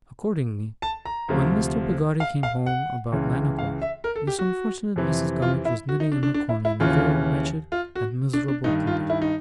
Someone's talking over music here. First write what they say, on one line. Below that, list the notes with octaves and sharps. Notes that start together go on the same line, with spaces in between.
Accordingly, when Mr. Peggotty came home about nine o'clock, this unfortunate Mrs. Gummidge was knitting in her corner, in a very wretched and miserable condition.
A5
A#5
D2 C3 F3
F5
F5
F#5
C#2 C#3 E3
F5
E5
A#4
A4
G4
F#4
F2 C3 E3
F4
E4
F#4
D#4
D4
D4
D4
E4
E4
D#2 C#3 E3 F4
F4
F#4
D4
D4
G2 D#3 D#4
F4
E4
D#4